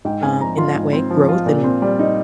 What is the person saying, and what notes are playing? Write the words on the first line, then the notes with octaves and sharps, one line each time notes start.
um, in that way, growth and
G#2 G5
C4 G#5
F3 A#5
F4 C6
G#2
C4
F3
F4
A#2
C4
G3
D#4